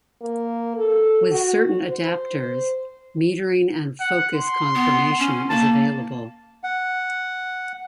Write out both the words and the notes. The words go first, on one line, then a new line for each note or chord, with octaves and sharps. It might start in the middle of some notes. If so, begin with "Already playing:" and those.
With certain adaptors, metering and focus confirmation is available.
A#3
A4
F#4
C5
F#5
C6
B3
C#4
A#3 A5
F#5